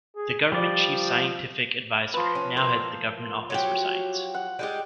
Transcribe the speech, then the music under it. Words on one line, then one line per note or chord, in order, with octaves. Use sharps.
The Government Chief Scientific Advisor now heads the Government Office for Science.
G#4
F3 G3 D5
F3 B4
C#4
A#3 C5
F#3 F#4 G4
F#5
G3 G#3 G4